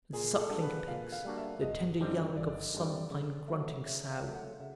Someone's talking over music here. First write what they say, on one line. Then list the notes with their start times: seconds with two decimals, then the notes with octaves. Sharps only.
And suckling pigs, the tender young Of some fine grunting sow!
0.13 A#2 G#4
0.38 A4
0.50 G3 A#3 D4 F#4
0.62 B4
0.87 A#2 F5
1.12 F5
1.25 G3 A#3 D4 F#4
1.37 E5
1.62 G1 D#5
2.00 F#2 D3 G3 C4
2.36 G1 D5
2.74 F#2 D3 G3 C4
3.11 C#3
3.48 F#3 A3
3.86 C#3 E5
4.11 F5
4.24 F#3 A3
4.35 F#5
4.60 C#3 E5